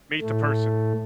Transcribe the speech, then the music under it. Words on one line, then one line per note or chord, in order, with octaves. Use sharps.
meet the person.
A2 A3